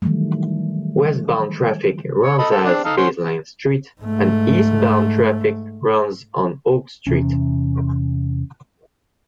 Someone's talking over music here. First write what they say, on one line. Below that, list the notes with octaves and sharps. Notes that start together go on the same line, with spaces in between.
Westbound traffic runs as Baseline Street and eastbound traffic runs on Oak Street.
D#3 E3 F#3 G3 A3
C#5
A4 D#5 B5
A4
C4 D4
D#4 A4 F5
C#4 F#4 C5
G#2 A3
E2 C3 E3 C#4